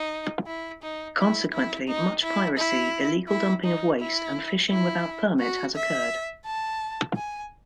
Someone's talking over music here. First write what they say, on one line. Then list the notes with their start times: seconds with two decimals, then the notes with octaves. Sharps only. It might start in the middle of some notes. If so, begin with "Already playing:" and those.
Consequently, much piracy, illegal dumping of waste and fishing without permit has occurred.
Already playing: D#4
0.47 E4
0.82 D#4
1.18 E4
1.52 E4
1.88 D#4
2.23 E4
2.57 E4
3.28 E4
3.64 D#4
3.99 E4
4.70 E4
5.40 F#4
5.75 E5
6.46 A5
7.17 G#5